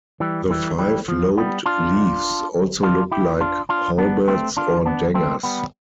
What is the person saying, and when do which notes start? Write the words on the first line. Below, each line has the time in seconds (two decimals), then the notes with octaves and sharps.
The five-lobed leaves also look like halberds or daggers.
0.20 E3 G3
0.50 E3 G3
0.79 E3 G3
1.08 F3
1.37 G3 B3
1.66 D4 F4
2.83 D4 F4
3.12 E4 G4
3.41 D4 F4
3.69 D4 F4
3.98 B3 D4
4.28 A3 C4
4.57 D4 F4
4.86 B3 D4
5.14 A3 C4
5.43 G3 B3